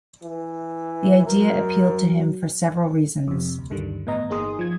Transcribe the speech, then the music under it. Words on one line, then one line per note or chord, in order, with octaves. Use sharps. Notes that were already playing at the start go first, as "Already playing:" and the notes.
The idea appealed to him for several reasons.
E3
F#3 A#4
F2 C3
D2
D2 G2 D3 D#3 G3
A2 E3 B3 D#5 A#5
G1 A#3 D#4 G#4 C6 D#6
F3 G#6